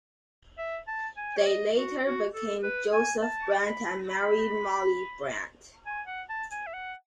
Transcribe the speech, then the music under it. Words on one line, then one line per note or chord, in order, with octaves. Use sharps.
They later became Joseph Brant and Mary "Molly" Brant.
E5
A5
G#5
C#5
D#5
F#4
F#4
A4
B4
G#5
A5
B5
B5
G#5
F#5
A5
G#5
E5
F#5